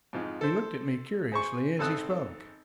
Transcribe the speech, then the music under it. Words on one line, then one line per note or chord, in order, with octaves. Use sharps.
He looked at me curiously as he spoke.
F2 G#2 F3
A4 C5
G#4 C5 C#6
G#1 C4 A4 A5 D#6 F#6